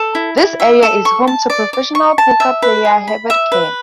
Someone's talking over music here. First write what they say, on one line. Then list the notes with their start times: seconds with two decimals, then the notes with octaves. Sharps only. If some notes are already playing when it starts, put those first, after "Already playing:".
This area is home to professional poker player Hevad Khan.
Already playing: A4
0.15 E4
0.37 E4
0.60 E5
0.83 A4
1.05 C#6
1.27 A5
1.50 D5
1.73 D5
1.95 C#6
2.18 A5
2.40 E5
2.62 B4
2.85 G#4
3.08 B5
3.30 E5
3.52 B4